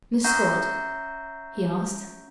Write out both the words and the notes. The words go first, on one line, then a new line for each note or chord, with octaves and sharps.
"Miss Scott?" he asked.
C#4 E5 F#5 A#5 C#6 G6